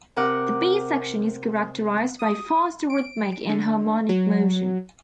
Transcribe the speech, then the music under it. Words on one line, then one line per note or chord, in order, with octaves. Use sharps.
The B section is characterized by faster rhythmic and harmonic motion.
C3 A#4 F#5 D6
D#6
D7
D3
F#3